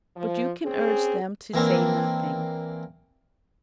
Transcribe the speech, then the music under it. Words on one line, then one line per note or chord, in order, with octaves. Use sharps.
'But you can urge them to say nothing.
F3
C4 C#4 G#4
E3 A#3 C4 D4